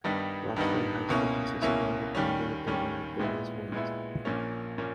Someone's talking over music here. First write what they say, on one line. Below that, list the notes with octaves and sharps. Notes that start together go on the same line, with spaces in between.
Roxbury High School consists of one rectangular building with various wings.
G2 D#3 G3 B3 D#4
G2 D#3 G3 B3 D#4
C#2 B2 A#3 C#4 E4
C#2 B2 A#3 C#4 E4
D#2 D#3 G3 C#4
D#2 D#3 G3 C#4
A#2 G#3 B3 E4
A#2 G#3 B3 E4
A#1 A#2 A#3 C#4
A#2 A#3 C#4